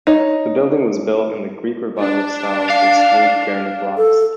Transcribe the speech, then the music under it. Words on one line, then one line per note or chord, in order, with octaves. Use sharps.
The building was built in the Greek Revival style with smooth granite blocks.
D#4 C#5
D4
F5
A4